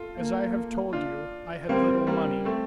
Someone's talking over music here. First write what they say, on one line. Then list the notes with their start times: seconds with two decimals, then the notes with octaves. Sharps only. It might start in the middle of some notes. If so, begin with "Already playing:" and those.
As I have told you, I had little money.
Already playing: F4 A4
0.16 A#3
0.93 D4 F4
1.69 G3 A#3 C4
2.07 G3 A#3
2.45 A3 C4